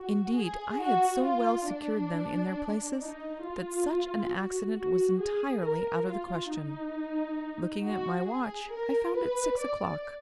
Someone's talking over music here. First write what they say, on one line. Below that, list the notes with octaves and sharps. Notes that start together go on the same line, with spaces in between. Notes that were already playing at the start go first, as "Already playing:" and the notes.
Indeed, I had so well secured them in their places, that such an accident was entirely out of the question. Looking at my watch, I found it six o'clock.
Already playing: F#4
G#4
F#4
F4
D4
D#4
F4
F#4
F#4
G#4
A#4
F4
D#4
F#4
G#4
A#4
B4
D5